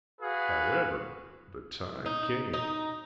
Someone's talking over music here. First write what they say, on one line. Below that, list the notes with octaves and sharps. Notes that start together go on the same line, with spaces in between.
However, the time came.
F#4 G#4 B4 F5
D#4
D#4